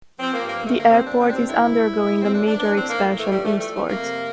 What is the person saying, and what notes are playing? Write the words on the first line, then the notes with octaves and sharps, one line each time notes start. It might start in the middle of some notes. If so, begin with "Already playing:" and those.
The airport is undergoing a major expansion eastwards.
F3 C4
A#3
G2
A#3
D3 A3
A#3
G2
C4
F3 D4
C4
G2 D4
C4
D3 E4
G2
A2
A2
C4
E3 D4
D4
E3
D4
A2 C4
A#3
A2
E3 A3
G3
E3
A3
F3 A3
A3
F2
A#3
C3